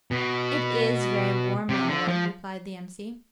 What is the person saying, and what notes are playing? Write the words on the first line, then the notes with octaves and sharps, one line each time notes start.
'It IS very warm, my Lord,' replied the M.C.
B2
C3
D3
F3